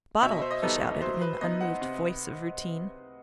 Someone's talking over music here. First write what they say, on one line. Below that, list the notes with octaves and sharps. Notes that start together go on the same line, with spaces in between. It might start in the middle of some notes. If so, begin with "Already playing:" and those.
"Bottle!" he shouted, in an unmoved voice of routine.
B2 E5
D#5
C5
D#5
G3 B3 D#4 A4
F#3 C5
B4
B3 D#4 D#5
F#5
C3